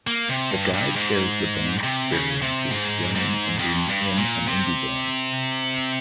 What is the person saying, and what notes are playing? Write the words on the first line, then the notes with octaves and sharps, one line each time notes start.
The guide shares the band's experiences running and being in an indie band.
A#3
C3
G2
G2
G#2
C3
C#3
C3
G#2
G#2
F2
G2
A#2
C3